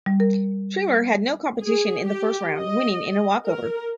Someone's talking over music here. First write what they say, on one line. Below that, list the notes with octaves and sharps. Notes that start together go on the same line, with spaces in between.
Tremeer had no competition in the first round, winning in a walkover.
G3
A#4
G#4
G4
D#5
A#4